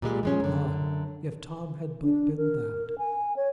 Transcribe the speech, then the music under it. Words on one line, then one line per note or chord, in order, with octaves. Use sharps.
Ah! if Tom had but been that!
A#2 G3 G#3
F3 G#3 C#4
F#2 D3
D4
A#4
G#5
C#5